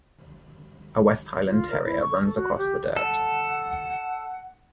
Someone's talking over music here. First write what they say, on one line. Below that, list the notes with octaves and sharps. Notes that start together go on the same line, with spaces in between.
A West Highland Terrier runs across the dirt.
F4
A#4
E4
C#6
A4
F#4
G4
A4 F#5